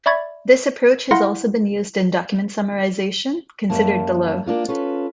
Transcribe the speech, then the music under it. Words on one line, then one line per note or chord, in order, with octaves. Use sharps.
This approach has also been used in document summarization, considered below.
D5 E5 B5 C#6 G#6 A6
E4 F5 F#5 C6 A#6
F#2 G3 A#3 A5
A#3 D4 F4 A#4
C#4 F4 A4 B4